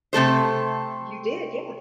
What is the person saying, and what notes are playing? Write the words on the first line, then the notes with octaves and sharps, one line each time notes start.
You did. Yeah.
C3 A3 A4 C5